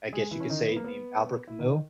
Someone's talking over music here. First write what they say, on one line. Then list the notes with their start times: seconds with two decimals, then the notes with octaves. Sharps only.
I guess you could say, named Albert Camus
0.13 G#3 G#4
0.31 E3 E4
0.40 C#4
0.50 D#3 D#4
0.68 B3
0.76 A#3
0.84 B3
1.47 E4
1.59 D#3 D#4